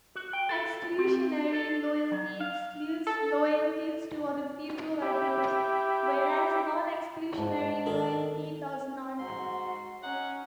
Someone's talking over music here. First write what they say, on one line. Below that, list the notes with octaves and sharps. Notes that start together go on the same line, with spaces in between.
Exclusionary loyalty excludes loyalties to other people or groups; whereas non-exclusionary loyalty does not.
F#4
G5
A4
C4
A4
F#3
F5
A4
E4 G4
G#2 A5
D#3 A4
G#2 F#4 C6
C#4 D#4 F#5